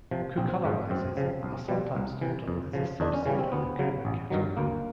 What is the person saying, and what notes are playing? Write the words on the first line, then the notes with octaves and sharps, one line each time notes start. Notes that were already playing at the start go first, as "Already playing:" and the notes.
Cucolorises are sometimes thought of as a subset of the gobo category.
C3 F3
A#1 C4
G#2 F3
F#2 C4
C#3 F3
B1
B2 G3
C2
C3 E3
F2
C#3 F3
E2 D4
C#4
C#3 E3 G3 C#4
C4
D2 B3
C#3 F#3
A1
G2 D#3 F#3
D2 A#3